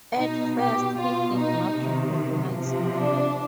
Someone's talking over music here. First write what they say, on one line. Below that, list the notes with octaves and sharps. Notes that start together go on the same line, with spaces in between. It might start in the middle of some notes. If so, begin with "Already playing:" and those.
At first he did not recognise me.
B2 D#4
G4
B2 F4
D#4
C3 D#3
C3 F3
D4